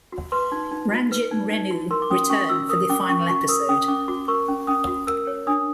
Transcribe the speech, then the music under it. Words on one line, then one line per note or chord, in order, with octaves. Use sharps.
Ranjit and Renu return for the final episode.
F#4
B4 C6
D#4
D#4
F#4
B4
D#4
D#4
F#4
A#4 C6
D6
C#4 D#6
C#4 C#6
F#4 E6
A#4 D#6
C#4 D6
C#4 C#6
F#4 C#6
A#4 D#6
C#4 D#6
C#4 D6
F#4 D6
A#4 C#6
C#4
C#4 D#6
F#4
A#4 E6
C#5
D4 D#6